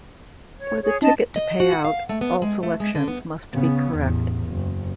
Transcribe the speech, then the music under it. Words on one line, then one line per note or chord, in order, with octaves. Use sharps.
For the ticket to pay out, all selections must be correct.
C#5
G#4 C#5
C#4 D#4 D#5 A5
D#5
F#4
F#5
F5
A3
B3
G#3
A3
G#3
D3
B3
C#3 B3
A1 E2
F#1